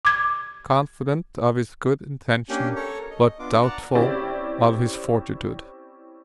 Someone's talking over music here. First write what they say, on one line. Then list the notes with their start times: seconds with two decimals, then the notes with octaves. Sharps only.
Confident of his good intentions but doubtful of his fortitude.
0.05 D6 G#6
2.49 A#3 C#4 D4 G4
2.76 A4 A#4 C#5 C#6
3.11 D#5
3.39 B3 D4 F4 D6
3.63 D5 F#5 A5 A#5
3.95 C4 C#4 E4 G4 D5